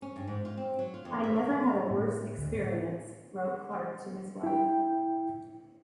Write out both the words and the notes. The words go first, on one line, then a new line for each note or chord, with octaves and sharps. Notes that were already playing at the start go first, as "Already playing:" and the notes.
"I never had a worse experience" wrote Clark to his wife.
C#4
G2
G#2
F4
C4
F#3
F4
F2
E5
D#4
E3
A2
D2
A2
E4 G5